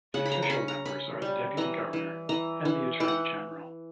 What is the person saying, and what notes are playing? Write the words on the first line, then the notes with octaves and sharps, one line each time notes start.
The official members are the deputy governor and the attorney general.
C#3 F#5
B5
A#5
A#5
C#4 B5
A#5
C#4 B5
G3
E3 A#5
E3
E3 A#5
E3
E3 G5
F#5